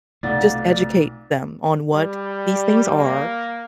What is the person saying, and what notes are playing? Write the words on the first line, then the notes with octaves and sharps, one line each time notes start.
just educate them on what these things are,
B1 C3 A3 F4 D5 F#5 A6
G3
A#3